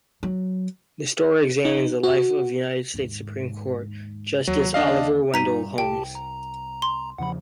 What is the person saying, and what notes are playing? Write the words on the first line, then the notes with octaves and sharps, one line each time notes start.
The story examines the life of United States Supreme Court Justice Oliver Wendell Holmes.
F#3
D#4
F#4
D#2 G#2
D#2 F#3
D4 D#5 F5
G2 D#4 A#5 B6 D#7
C2 G4 G5 A5
A#5
C6
E2 C#3 F3 F#5 B5